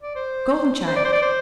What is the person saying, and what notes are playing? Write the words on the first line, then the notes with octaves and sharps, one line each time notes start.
Golden child.
D5
C5
C5
D5
C5
D5
C5